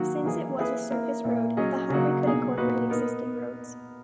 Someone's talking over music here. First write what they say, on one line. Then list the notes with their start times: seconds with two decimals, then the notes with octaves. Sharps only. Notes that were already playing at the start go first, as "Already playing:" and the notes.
Since it was a surface road, the highway could incorporate existing roads.
Already playing: D#3 F#3 A#3 F#4
0.24 E3 A#3 D#4 G#4
0.57 A#3 E4 G#4 B4
0.90 A#3 E4 A#4
1.24 A#2 A#3 E4
1.57 F#3 C#4 G#4 D#5
1.90 C#3 F#3 A#3 D#4 F#4
2.24 B2 A#3 D#4 G#4
2.57 A#2 A#3 D#4 F#4 B4
2.90 B3 D#4 A#4